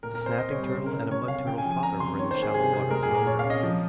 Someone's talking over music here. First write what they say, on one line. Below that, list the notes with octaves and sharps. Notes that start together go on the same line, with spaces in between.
The Snapping Turtle and a Mud Turtle Father were in the shallow water below her.
A#2 A#4
A#4
C4 C5
C4 D#5
C#5
G3
C5
C#3
A#4
C#3
A#4
C#3 C#5
C#3 F5
C#3 G5
G#5
F3
G#5
C4 A#5
C#3 C6
D#3 C#5
C5
A#3
G#4
C3 G#4
C3 G#4
G#3 A#4
G#4
A#2
A#4
A#2 C#5
F5
C#4
D#5
F3